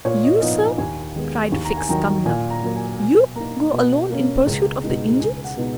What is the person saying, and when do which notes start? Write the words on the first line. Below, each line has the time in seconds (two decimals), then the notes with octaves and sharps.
"You, sir!" cried Fix, coming up; "you go alone in pursuit of the Indians?"
0.05 A#2 C#5
0.23 D#5
0.38 D#5
0.42 F3 B3 D#4 F5
0.60 G#5
0.78 D#2 G#5
1.16 D#3 G#3 B3
1.52 D#2
1.65 A#5
1.77 G#5
1.89 D#3 F#3 A#5
2.26 A#2 G#5
2.50 A#5
2.63 F#3 A#3
2.75 G#5
2.99 B2 G#5
3.36 A#3 D#4 A#5
3.73 B2
4.10 A#3 C#4
4.47 C#2
4.84 B2 G#3 D#4
5.20 C#2 G#5
5.44 F#5
5.57 B2 G#3 B3 D#4